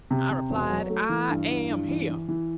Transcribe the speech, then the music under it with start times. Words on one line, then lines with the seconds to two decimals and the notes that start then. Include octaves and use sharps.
I replied, "I am here."
0.11 C3
0.31 C3
0.50 E1
0.70 F#3
0.90 A3
1.09 E3
1.29 G2
1.50 E3
1.69 G2
1.89 E3
2.09 E3
2.28 E3